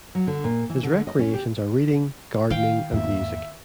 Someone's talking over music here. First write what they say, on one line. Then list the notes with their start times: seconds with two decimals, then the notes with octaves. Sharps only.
His recreations are reading, gardening and music.
0.15 F#3
0.27 D3
0.44 A#2
0.69 E3
0.83 D3
1.07 D#5
1.19 C#4
1.34 G4
2.50 D#3 E4 F5 G5
2.93 E2 G#2 A#3 E5